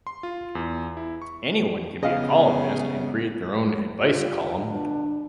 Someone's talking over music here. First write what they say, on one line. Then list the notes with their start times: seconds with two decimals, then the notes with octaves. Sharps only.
Anyone can be a columnist and create their own advice column.
0.07 C6
0.23 F4
0.55 E2
0.97 E4
1.22 C#6
2.03 C#3 B3 G#4 D#5 F5
4.01 G3 F4
4.56 B2 D3 D4